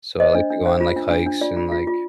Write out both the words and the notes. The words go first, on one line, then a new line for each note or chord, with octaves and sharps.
So I like to go on, like, hikes and, like,
C5 D#5
D4
D4
C5
F4
D4
D4
D4
F4 D5
F4
F4
F4